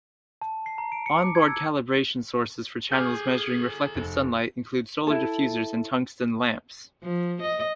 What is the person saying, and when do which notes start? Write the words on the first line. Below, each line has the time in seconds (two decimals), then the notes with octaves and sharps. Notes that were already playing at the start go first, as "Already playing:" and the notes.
Onboard calibration sources for channels measuring reflected sunlight include solar diffusers and tungsten lamps.
0.42 A5
0.66 C7
0.78 A#5
0.92 D7
1.06 C#7
1.23 D6
1.35 G#6
1.48 E6
2.92 G#4 A4 G#5 D6 F6 G6
3.95 F1
5.07 E4 A4
7.03 F3
7.41 D#5